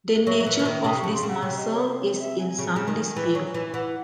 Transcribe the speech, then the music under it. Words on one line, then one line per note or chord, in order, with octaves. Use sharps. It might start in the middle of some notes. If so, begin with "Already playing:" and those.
The nature of this muscle is in some dispute.
G#3
F#3 E5
F#3
E3
E3
D#3
C3 D#6
C#3 C#6
C6
C#3 F#5
C3 C#5
D#5
C#5
C5
C#5
D#5
E5
G#5
C#3
C#3
D#3
E3
F#3
E3
G#5
E3 F#5